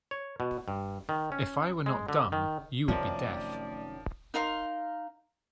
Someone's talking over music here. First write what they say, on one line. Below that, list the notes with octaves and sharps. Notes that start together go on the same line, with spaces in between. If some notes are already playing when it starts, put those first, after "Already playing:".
If I were not dumb, you would be deaf.
C#5
B2
G2
D#3
C#4
G#3
D3
D#3
F#2 C3 D#3 F3 A3 D5
D#4 A#4 F5 C6